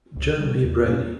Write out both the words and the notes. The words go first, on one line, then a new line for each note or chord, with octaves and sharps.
John B. Brady.
C#2
B2 G3
E2
B2 A#3 C#4